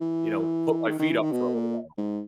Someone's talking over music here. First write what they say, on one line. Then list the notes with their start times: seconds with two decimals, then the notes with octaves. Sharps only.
you know, put my feet up for a little while.
0.01 E3
0.88 D#3
0.99 D#3
1.10 E3
1.21 D#3
1.32 B2
1.54 A#2
1.98 G#2